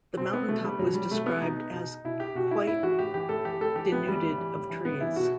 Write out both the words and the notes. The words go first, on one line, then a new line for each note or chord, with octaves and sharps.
The mountain top was described as quite denuded of trees.
B2 C4
B3
B2 A3
G3
B2 F#3
G3
B2 A3
B3
B2 D#4
B2
B2 E4
G4
B2 F#4
E4
A2 E4
E3 F#4
A2 G4
E3 G4
A2 A4
E3 G4
A2 A4
E3 G4
A2 B3
E3 G3
A2
E3
A2
E3
A2 B3
E3 E4
B2 F#4